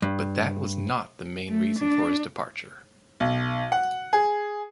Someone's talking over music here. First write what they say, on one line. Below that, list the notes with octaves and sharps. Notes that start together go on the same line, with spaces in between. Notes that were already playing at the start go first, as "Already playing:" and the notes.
But that was not the main reason for his departure.
G2
A3
D4
B1
F#5
G#4